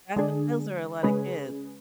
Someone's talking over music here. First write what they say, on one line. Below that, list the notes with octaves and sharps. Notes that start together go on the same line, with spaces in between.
That's those are a lotta kids.
D3 G#3 D4 G#4
C#3 G#3 C#4 G#4 B4